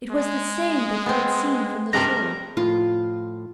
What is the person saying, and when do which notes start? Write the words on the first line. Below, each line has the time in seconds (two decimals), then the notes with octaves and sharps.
It was the same that he had seen from the shore.
0.12 G#3
1.06 B3 C4
1.93 G2 C3 G#3 A#4 A#5 A#6
2.57 A2 F3 F4